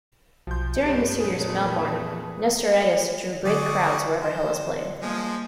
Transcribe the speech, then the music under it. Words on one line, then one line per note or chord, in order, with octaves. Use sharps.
During his two years in Melbourne, Nestoridis drew big crowds where ever Hellas played.
B1 F3 C6 G6
G2 D#4 G4
F2 A#2 A3 G#4 B4
D3 F#3 F#4 G#4 D5
C5
F3 G3 G#3 A#3